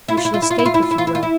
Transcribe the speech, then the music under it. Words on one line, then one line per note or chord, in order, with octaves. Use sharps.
You shall escape, if you will.
E4
F4
E4
F4
E4
F4
E4
F4
E4
F4
E4
F4
E4
F4
E4